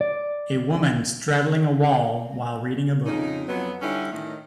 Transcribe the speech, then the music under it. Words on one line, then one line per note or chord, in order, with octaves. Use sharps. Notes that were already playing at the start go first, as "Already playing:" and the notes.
A woman straddling a wall, while reading a book.
D5
F2 C#3 D#4
F2 F#3 B3
D3 G3 C#4 D#4 E4
A2 D#3